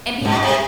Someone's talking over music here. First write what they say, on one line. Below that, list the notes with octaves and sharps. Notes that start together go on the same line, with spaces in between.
And be happy.
A2
G#2 B2
C3